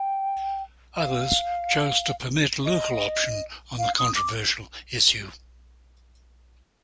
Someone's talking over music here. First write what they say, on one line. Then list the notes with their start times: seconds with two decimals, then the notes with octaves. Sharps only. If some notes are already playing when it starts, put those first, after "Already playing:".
Others chose to permit local option on the controversial issue.
Already playing: G5
0.96 F5
2.65 D#5
3.79 F5
3.98 D#6
4.16 D6